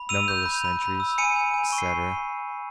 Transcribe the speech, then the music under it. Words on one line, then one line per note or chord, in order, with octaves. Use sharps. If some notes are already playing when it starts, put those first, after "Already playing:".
"Numberless centuries," etc.
Already playing: B5
E6 D#7 F7
G6
B5
B5
B5
E6
G#5 C#7 D#7
G#5
G#5
C#6
C7